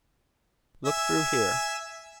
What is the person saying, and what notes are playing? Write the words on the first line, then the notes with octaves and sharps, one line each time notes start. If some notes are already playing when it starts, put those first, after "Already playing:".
"Look through here."
E5 G#5